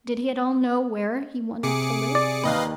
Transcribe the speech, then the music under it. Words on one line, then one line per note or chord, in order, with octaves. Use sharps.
Did he at all know where he wanted to live?
C3 G#4 D6 C#7
D5
D#2 D#3 B4 D#5 F5